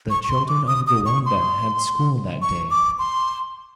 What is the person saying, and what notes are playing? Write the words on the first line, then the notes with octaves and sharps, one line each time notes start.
The children of Gowanda had school that day.
C#6
C#6
C6
D6
D#6
D#6
C#6
C6
C#6
D6
C6